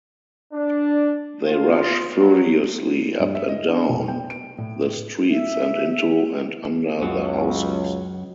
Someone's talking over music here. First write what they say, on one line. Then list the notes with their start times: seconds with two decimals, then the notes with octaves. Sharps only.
They rush furiously up and down the streets and into and under the houses.
0.53 D4
1.47 F4
2.17 F#3
3.19 G2
3.35 E5
3.48 D#5
3.68 D4
3.90 F1
4.08 G5
4.30 D7
4.58 A2
5.30 E5
7.01 C#2 F#2 F#3 C#4